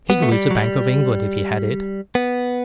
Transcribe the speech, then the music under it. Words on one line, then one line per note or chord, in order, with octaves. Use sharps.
He'd lose the Bank of England if he had it.
B3
A3
G3
F#3
G3
B3